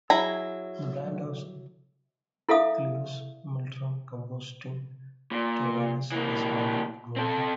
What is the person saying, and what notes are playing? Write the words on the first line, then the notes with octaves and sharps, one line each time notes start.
The brand of Clivus Multrum composting toilets is marketed globally.
F#3 E4 G#4 A#5 B5
E4 A4 E5 F5 D#6
A#2
E3 A#3
C4 A4